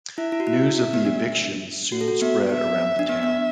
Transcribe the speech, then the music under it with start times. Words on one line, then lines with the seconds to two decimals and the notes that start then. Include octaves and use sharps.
News of the evictions soon spread around the town.
0.17 E4 E5
0.32 E4
0.40 F#4
0.46 E4 E5
0.77 E5
0.93 B3
1.05 D4
1.92 F#4
2.01 A4
2.08 F#4
2.21 B3 E5
2.50 B3 E5
2.99 D4
3.08 B3 E5
3.23 B3